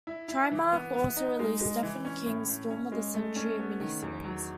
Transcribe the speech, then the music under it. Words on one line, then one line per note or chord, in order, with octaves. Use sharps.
Trimark also released Stephen King's "Storm of the Century", a miniseries.
E4
E4
E3
B3
B3
D#4
G#3
G#3
E3
C#4
A2
A2
C#4
G#3
A3
C#4
B3
D#3
E2
F#3